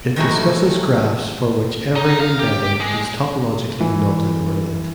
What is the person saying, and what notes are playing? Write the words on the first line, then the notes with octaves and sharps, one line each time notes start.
It discusses graphs for which every embedding is topologically knotted or linked.
D#3 E3 F#3 A3 A#3
D#4
F5
G4
G#3
E3